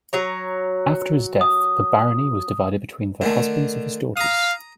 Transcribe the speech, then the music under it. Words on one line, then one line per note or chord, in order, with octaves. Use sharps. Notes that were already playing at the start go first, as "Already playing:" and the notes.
After his death, the Barony was divided between the husbands of his daughters.
F#3 C#5 A#5
D#6
D3 D#3 A3
F5 A#5 D#6